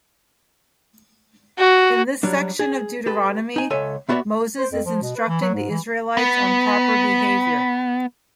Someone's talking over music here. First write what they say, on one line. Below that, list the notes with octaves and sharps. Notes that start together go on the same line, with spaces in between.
In this section of Deuteronomy Moses is instructing the Israelites on proper behaviour.
F#4
F#3 G3 D4
G#4
G4 A4 B4
D#4 G#5
C#2 A4 C#5 E5 G#5
A3 B3 F#4 A#4 D5 E5
C5
F2
F3
B2
B4
E3
F#3
G#2
E3
B3 B5